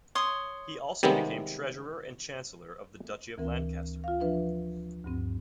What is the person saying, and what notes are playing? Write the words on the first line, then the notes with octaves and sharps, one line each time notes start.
He also became Treasurer and Chancellor of the Duchy of Lancaster.
C#5 C6 D#6
C3 D#3 G3 G#3 B3
D2 E3 C4 A#4
F4 F5
F3 D4 B4 E5
D2 G2 C4